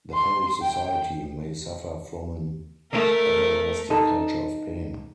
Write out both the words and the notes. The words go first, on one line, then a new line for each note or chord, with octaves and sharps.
The whole society may suffer from an everlasting culture of pain.
C6
G5
A3 A#4
D#4 A4